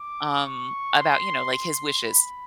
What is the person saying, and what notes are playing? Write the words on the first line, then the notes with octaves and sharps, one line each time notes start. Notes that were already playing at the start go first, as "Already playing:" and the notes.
um, about, you know, like, his wishes
Already playing: D6
C#6
C6
C6
B5